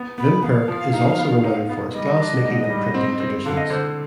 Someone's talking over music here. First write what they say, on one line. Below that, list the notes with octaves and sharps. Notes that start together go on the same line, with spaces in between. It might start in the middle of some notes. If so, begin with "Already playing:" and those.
Vimperk is also renowned for its glass-making and printing traditions.
Already playing: B3
B3 B5
B3 F5
F3
D#4
B3
D#4
B3
G3 D#5
D4
G#2
G3
C4
C4
D3 F5
D#5
D3 C5